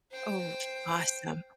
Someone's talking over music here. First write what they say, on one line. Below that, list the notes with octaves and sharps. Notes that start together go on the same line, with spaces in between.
Oh, awesome.
C5 G5